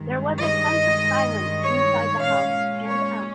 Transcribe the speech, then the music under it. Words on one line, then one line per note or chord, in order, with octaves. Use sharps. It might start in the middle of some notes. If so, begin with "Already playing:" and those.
There was a sense of silence inside the house and out.
Already playing: G2 D#3 G#3
D#5
C#5
A#2 G#3 C#4 F5
C#5